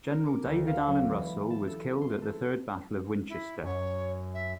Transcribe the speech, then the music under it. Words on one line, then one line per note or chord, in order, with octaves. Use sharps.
General David Allen Russell was killed at the Third Battle of Winchester.
A#4
D6
D2
F5
F#3
E3
A5
A4
C6
A4
E4
F#2 C#5
E5